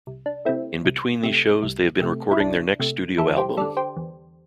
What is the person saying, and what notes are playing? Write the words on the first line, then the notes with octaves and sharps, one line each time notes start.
In between these shows they have been recording their next studio album.
C2
D4
C3 A3 C4 E4
C2
C3 A3
C2
C3 A3
E4
C2 D4
C3 A3
E2 E4 A4
G4 C5
D3 G3 A4 D5
G4 C5
E2